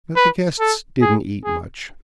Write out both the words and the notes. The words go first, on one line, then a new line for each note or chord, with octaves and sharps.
But the guests didn't eat much.
B4
A4
G#4
G#4